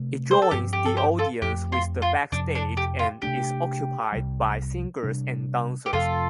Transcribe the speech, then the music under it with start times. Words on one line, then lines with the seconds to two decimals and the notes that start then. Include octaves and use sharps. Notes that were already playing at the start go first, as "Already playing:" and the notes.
It joins the audience with the backstage and is occupied by singers and dancers.
Already playing: C3 A3 C4
0.31 C5
0.42 A4
0.51 G2 F3 C4 G4
0.73 G4
0.85 A4
0.97 G4 C5
1.19 F4 A4
1.42 F2 F3 A3 G4
1.72 F4
2.02 F4
2.32 F2 C3 F3 D4
2.55 D4
2.77 G4
2.99 F4
3.22 C3 A3 D4 G4
4.12 C2 C3 G3
5.03 C3 G3 D4
5.86 G4
5.93 F2 C3 F3 F4 A4